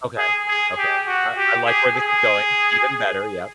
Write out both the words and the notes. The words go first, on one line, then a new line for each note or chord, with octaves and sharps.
Okay, okay. I I like where this is going. Even better. Yep.
G#4
G#4
G4
F#4
G4
G#4
G#4